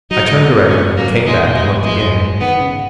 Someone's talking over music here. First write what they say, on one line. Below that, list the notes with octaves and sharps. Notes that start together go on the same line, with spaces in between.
I turned directly, came back, and looked again.
F#3 D#4
G#3
A#3
G#3 C#4
F#3 A#3
D#3 G#3
B2
G#3
G#2
F2 G#3
F#2
G#2
D#3 B3
C#3